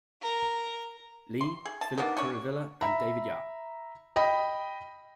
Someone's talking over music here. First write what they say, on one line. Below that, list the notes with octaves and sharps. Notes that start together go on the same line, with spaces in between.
Lee, Philip Kuruvilla and David Yah.
A#4
C6
G#4
A5
A#3 B3 D4 D#4
C#4 D4 C#5
E5 A#5 B5
D#5 G5 B5